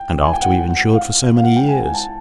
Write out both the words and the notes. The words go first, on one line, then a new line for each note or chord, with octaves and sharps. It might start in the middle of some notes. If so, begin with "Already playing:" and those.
And after we've insured for so many years!
Already playing: G5
G#5
G5
F#5
F5
F5
F#5
G5
G#5
G#5
A5